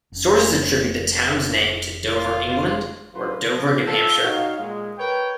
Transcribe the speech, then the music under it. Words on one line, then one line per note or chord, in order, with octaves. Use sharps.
Sources attribute the town's name to Dover, England or Dover, New Hampshire.
F1 C#4
F4
F#2 A2 F#3 F4 B4 C6
F3
F4 A4
D#4 F#4 C#5 F5
A#2 G#3
A#4 B4 C#5 G5